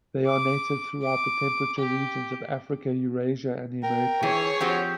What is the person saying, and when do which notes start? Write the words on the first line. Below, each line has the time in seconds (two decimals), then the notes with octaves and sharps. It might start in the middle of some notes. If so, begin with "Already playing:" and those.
They are native throughout the temperate regions of Africa, Eurasia, and the Americas.
0.26 D6
1.03 D6
1.78 G4
3.83 A#4 G5
4.23 E3 G#4 C#5
4.60 F3 C4 F#4 G4